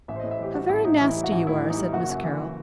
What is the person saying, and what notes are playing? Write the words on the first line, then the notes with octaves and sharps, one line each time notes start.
"How very nasty you are!" said Miss Carroll.
A1 E5
C5
D#5
A2
E5
E3 G4
G3 F#4
A1 E4
A2 D#4
E3 E4
G3
F#4
A1
A2 E4
E3
D#4
G3
F#1 F#4
F#2
E3